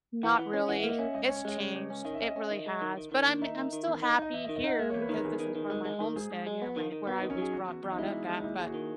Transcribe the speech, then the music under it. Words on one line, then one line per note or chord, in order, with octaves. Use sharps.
not really, it's changed, it really has, but I'm I'm still happy here because this is where my homestead you know, my where I was grot brought up at, but
E3 F#5
E3
C#4
E3 F#5
E5
A#3
D#5
C#4 E5
C#2 D#5
C#5
C#4
C#5
G#3 D#5
C#3 C#5
C#2
C#4
D#3 D#5
E5
C#4 D#5
C#4
D#3
G#3
D#3
D#3
D#3
D#2
D#4 E5
D#3
D#3
E2
D#4
D#4 D#5
E2 E5
D#5
D#3
D#5
D#4 F#5
A#3 E5
C#5
E2
B4
D#3 A#4
E2 G#4
D#3
D#3
G#3
G#3
D#3
G#2 G#4
G#2
G#3
B3
D#3
D#3
B3 F#4
D#4
D#3
C#4
F#3 G#4
E2 F#4
E2
E2
D#4
G#3 E4
E2
G#3
D#4
D#2 E4
D#2 G#4
F#4
D#3